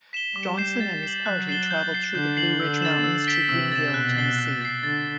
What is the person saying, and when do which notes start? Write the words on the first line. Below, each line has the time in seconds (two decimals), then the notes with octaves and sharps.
Johnson and his party traveled through the Blue Ridge Mountains to Greeneville, Tennessee.
0.13 B6 E7 G7
0.36 G3 D6
0.57 G6 C7 E7
0.80 A6
1.03 C7 F#7
1.26 F#3 F#6
1.47 A6 C7 E7 G7
1.71 G6
1.92 C7 G7
2.15 D3 G6
2.37 C7 F#7
2.60 D3 E6
2.82 A6 E7
3.04 E6
3.27 B6 D7 G7
3.49 C3 E6
3.72 A6 E7
3.94 B2 F#6
4.17 A6 C7 G7
4.39 F#6
4.61 A6 C7
4.83 D3 A6